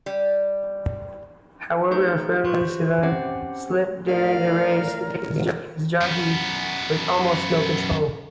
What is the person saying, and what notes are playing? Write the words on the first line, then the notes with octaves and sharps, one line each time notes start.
However, Affirmed's saddle slipped during the race, leaving his jockey with almost no control.
G3
A3 D#4 G#4 B4 C5 G6
F4 B4 C5 C#6
C4 C#4 G4 C5 F#5
A2 A#4 D5 F5
F#2 B3